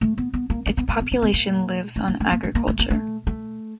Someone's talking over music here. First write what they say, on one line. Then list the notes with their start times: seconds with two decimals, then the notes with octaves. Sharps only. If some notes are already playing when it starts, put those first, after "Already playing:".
Its population lives on agriculture.
0.01 A3
0.18 B3
0.34 B3
0.50 A#3
0.66 A#3
0.77 B3
0.89 A#3
1.00 B3
1.12 A#3
1.22 B3
1.34 A#3
1.96 A3
2.08 A#3
2.20 A3
2.32 A#3
2.43 A3
2.55 A#3
2.68 A3
2.79 A#3
2.90 A3
3.27 A3